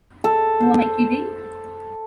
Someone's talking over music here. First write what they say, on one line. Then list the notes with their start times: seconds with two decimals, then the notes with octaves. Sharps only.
Who am I kidding?
0.24 A4
0.60 C5